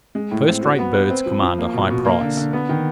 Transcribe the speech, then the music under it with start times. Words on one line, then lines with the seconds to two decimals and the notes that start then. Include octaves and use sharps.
First-rate birds command a high price.
0.15 G#3
0.31 A2
0.47 C4
0.63 F#4
0.79 B3
0.94 B4
1.10 C4
1.26 F3
1.43 F3
1.58 A#3
1.73 B2
1.90 B2
2.05 A#3
2.21 D3
2.37 D3
2.53 B3
2.69 D#3